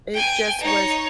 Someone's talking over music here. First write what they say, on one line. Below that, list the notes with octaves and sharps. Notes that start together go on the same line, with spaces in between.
it just was
G5 G#5
D#4 C#5